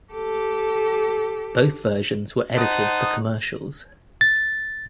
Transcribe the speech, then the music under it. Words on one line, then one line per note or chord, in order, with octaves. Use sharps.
Both versions were edited for commercials.
G4 A4
D#4 C5 F#5 A5 D#6
A6